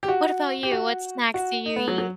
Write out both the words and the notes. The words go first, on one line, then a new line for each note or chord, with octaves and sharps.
what about you, what snacks do you eat?
G4
F#4
G4
F#4
F#4
D#4
B3
F#3
F#3